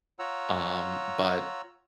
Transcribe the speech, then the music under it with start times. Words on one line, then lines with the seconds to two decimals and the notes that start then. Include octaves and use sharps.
Um, but,
0.19 F4 C#5 F#5 A#5 E6